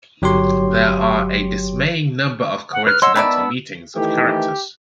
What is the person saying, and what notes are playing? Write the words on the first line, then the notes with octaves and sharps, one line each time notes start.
There are a dismaying number of coincidental meetings of characters.
G1 F#3 G4 C#5 C6
F#5
B4 F6 F#6
C#5 D#5 F#5 C6 E6
D#3 B3 E4 D5 A5 B5
D#3 E3 A3 G4